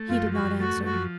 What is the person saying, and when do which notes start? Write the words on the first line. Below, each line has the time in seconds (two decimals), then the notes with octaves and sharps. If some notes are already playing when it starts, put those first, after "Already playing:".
He did not answer.
Already playing: A3
0.09 F#2 F4
0.27 F3
0.34 F#4
0.44 F#2
0.60 A3 F#4
0.77 F#2
0.85 F#4
0.93 F3